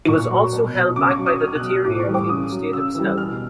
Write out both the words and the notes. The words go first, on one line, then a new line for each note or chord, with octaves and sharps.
He was also held back by the deteriorating state of his health.
A#2 C#6
F#3
B2
F#3
C#3 D6
C#6
F#3
D#6
B2 F6
F#6
F#3
F6
A2 D6
C#6
E3 G3
D6
C#3 D#6
F#3
C#3 E6
E3 G3
B2 F6
F6